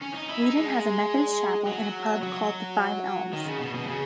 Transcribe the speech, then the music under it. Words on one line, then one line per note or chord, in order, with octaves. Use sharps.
Weedon has a Methodist Chapel and a pub called the Five Elms.
C#4
D#4
E4
D#4
G#3
F#3
F#3
D#3
C#3
B2
B2
C#3